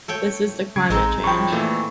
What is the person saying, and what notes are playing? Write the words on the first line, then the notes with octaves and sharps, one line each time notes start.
This is the climate change.
A3 C#5 G5
C#3 G#6
A1 G#3 C4 D#4
F#2 F3 G5 B5 C#6
A#2 E3 A3